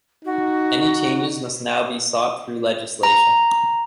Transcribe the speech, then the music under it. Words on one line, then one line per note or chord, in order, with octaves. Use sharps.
Any changes must now be sought through legislation.
D#4 F#4
A#5